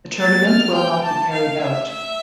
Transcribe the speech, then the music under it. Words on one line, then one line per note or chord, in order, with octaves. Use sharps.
The tournament will not be carried out.
A6
F6
G5
A5
F5
E5
E5